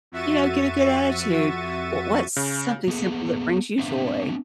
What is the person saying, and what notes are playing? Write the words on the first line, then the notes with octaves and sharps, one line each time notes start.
you know, get a good attitude. W what's something simple that brings you joy?
F2 F#4 E5 C#6 A6 D#7
C#3
A#3 B3 G#4 A4 E5 F#5
B3 C4 D4 E5 F5